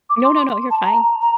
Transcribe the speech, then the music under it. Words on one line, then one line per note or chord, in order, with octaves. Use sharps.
No, no, no, you're fine.
D6
C6
A5
A#5
A#5